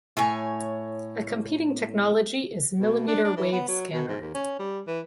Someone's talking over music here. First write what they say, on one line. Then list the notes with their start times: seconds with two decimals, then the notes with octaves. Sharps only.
A competing technology is millimeter wave scanner.
0.17 A2 C#5 G#5
2.79 B2
3.08 D4
3.24 D4
3.37 E3
3.53 B3
3.68 F#3
3.93 B2
4.08 G#2
4.21 D#2
4.34 C#4
4.59 G3
4.87 E3